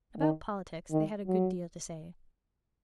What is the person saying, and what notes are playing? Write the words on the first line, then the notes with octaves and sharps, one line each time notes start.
About politics they had a good deal to say.
D#3
D#3
F#3